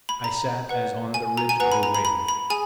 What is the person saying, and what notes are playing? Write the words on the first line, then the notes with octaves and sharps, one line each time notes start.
I sat as on the ridge of a wave.
B5
A#5
B4 F#5
G#5
A#5
G#5
B4 F#5 A#5
B5
A#5
B5
B5
B5
G#4 G#5